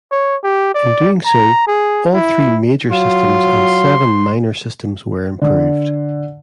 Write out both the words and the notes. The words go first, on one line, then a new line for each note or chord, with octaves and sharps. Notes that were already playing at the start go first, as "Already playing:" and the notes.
In doing so, all three major systems and seven minor systems were improved.
C#5
G4
D5
A#5
G#4
E4
F#3 F4 F5 C6
D3